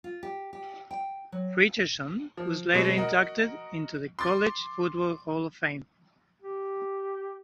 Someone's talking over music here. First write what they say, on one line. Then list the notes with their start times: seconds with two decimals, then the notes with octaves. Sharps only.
Richardson was later inducted into the College Football Hall of Fame.
0.04 F4
0.23 G4
0.53 G4
0.91 G5
1.32 F#3
2.37 F3
2.74 B2 G3 G#3 C4
2.98 F#4 A#4 D#5
4.19 C6 D6 A6
6.42 G4